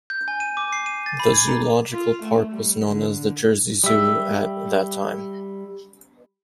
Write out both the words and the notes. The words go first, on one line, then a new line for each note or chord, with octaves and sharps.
The zoological park was known as the "Jersey Zoo at" that time.
G6
G#5
D#7
D6
C7
D#7
A6
B5
G#6
A#5
F4
A3
G3
D3
G3 E5